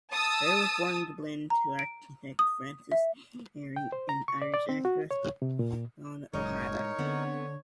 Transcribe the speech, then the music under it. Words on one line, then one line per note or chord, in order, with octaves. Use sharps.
Barry was born in Dublin to architect Francis Barry and Irish actress Joan O'Hara.
A5 D#6 E6
A#5
D7
D#6
E5
G5
C5
A#5
C#6
D5
D5
C4
F#4
C#5
C3
A#2
F#1 A2 G#3 D#4 G#4 A#4 C#5
D3 B3 C4 F#5